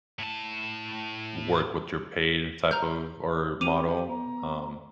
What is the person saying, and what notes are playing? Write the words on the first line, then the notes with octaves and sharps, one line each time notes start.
work what your paid type of or model. Um,
A2 A5
A#5 F6 G6
C4 G4 D6 D#7 F7
B3 A#5